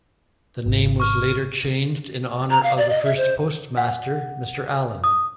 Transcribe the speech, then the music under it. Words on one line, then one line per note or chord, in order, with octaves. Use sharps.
The name was later changed in honour of the first postmaster, Mr. Allen.
G#1
C#6 F6
A#5
F5
D5
D#5
E5
C5
F#5
D#6